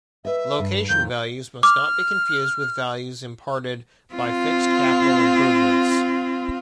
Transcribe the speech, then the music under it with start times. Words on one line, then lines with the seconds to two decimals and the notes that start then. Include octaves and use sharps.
Location values must not be confused with values imparted by fixed capital improvements.
0.25 B4 D#5 E5
0.59 G2
0.89 F2 D#3 G6
1.63 D6 F6
4.14 C4 F4